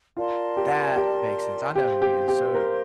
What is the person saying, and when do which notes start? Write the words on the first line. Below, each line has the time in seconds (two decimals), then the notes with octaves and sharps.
That makes sense, I know who he is, so
0.16 F4 A#4 D5 A5 C6
0.57 G4
0.96 G4
1.75 G4 C5 F5 C6
2.02 G4
2.28 G4
2.55 A#4